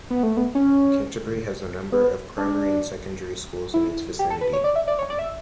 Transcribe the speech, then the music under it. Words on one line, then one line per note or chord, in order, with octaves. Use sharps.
Canterbury has a number of primary and secondary schools in its vicinity.
B3
A3
B3
C#4
B3
D4
E4
G4
A4
B4
C#5
D5
E5
D5
C#5
D5
E5